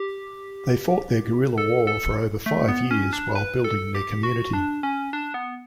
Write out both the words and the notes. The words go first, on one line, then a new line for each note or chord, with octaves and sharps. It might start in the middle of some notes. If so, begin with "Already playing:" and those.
They fought their guerrilla war for over five years while building their community.
Already playing: G4
A4
A4
A3
B3
C#4
D4
B4
A4
G4
F#4
D4
C#4
D4
B3